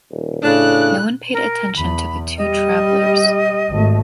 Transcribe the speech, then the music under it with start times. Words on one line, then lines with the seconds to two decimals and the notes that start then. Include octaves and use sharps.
No one paid attention to the two travelers.
0.11 D#1
0.43 A2 C#3 D4 F#6
1.33 A#4
1.77 E2 B5
2.38 G3 D#5
3.70 G#1 A3